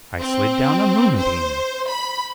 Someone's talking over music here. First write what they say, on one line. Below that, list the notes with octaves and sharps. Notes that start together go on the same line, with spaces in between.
"I slid down a moonbeam."
C4
C5
B5